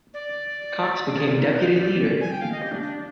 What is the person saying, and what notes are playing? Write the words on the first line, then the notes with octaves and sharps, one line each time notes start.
Cox became deputy leader.
D5
G#4
F4
D#4
F4
B4
C5
D5
G#5
G5
F5
D#5
G4
D4
D4